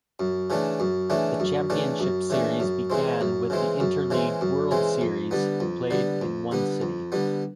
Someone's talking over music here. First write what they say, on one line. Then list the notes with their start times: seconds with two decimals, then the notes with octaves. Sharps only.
The championship series began with the interleague 'World Series' played in one city.
0.20 F#2
0.50 C#3 E3 A3 D4
0.80 F#2
1.10 C#3 E3 A3 D4
1.40 F#2
1.70 C#3 E3 A3 D4
2.00 F#2
2.30 C#3 E3 A3 D4
2.60 F#2
2.90 C#3 E3 G#3 C4
3.21 F#2
3.50 C#3 E3 G#3 C4
3.80 F#2
4.11 C#3 E3 G#3 C4
4.41 F#2
4.71 C#3 E3 G#3 C4
5.01 F2
5.31 D3 G3 B3
5.60 F2
5.91 D3 G3 B3
6.22 F2
6.51 D3 G3 B3
6.82 F2
7.12 D3 G3 B3